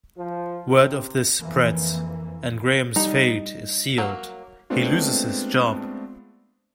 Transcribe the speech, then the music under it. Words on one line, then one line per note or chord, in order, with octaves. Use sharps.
Word of this spreads, and Graham's fate is sealed; he loses his job.
F3
C3
F2 E3 A#3
G3 D#4 A#5
F#3 A#3
G#3 A3 B3 C4 D4 F4